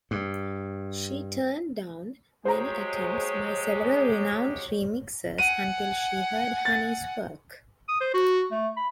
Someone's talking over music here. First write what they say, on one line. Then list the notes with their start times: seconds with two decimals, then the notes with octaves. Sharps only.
She turned down many attempts by several renowned remixers until she heard Hani's work.
0.11 G2
2.45 F#3 G#3 G4 C5 C#5 A#5
5.38 F#5 G#5 D#7
6.65 A6
7.89 D#6
8.01 C5
8.14 F#4
8.51 A3
8.77 B5